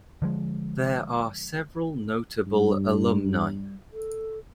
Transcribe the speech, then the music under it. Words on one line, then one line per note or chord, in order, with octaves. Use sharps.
There are several notable alumni.
D3 F3 G#3
G2 G3
A4